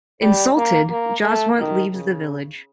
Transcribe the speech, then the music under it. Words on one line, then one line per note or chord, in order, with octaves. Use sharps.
Insulted, Jaswant leaves the village.
G3
A#3
A#3
A3
D#3
C#3